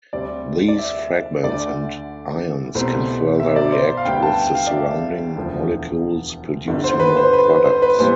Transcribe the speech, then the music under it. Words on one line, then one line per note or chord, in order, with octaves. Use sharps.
These fragments and ions can further react with the surrounding molecules producing more products.
D2 C3 G3 C4 D5
D5
E5
D2 D3 A3 D5
C2 B2 A3 C4
E5
D5
C5
F5
D2 D3 G3 B3 G5
A5
G5
F5
D5
E5
E1 D2 D3 F3 A3
G1 G2 D3 G3
C5
B4
C5
B4
C5
C5
B4
A2 E3 G3 B3 C5